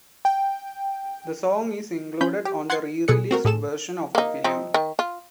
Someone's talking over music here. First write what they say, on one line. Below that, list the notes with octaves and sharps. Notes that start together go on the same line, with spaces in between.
The song is included on the re-released version of the film.
G5
F3 C#4 B5 G6
G4
F#5 C6 G#6 A6 C7 C#7
B2 G#4 A4 F#6 C#7
C4 F#4 A#4
A2 G#4 A4 E7
A#3 D#4
F3 C4 D#4
D#3
F4